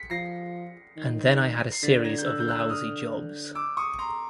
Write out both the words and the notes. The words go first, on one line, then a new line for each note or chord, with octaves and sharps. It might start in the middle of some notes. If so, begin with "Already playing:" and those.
And then I had a series of lousy jobs.
Already playing: B6 C#7
F3 A#6 C7
D#3
C7
D3 A6 B6
G#6 A#6
G6
E6 F#6
G6
E6 F#6
E6
D#6 F6
D6 E6
C#6 D#6
A#5 C6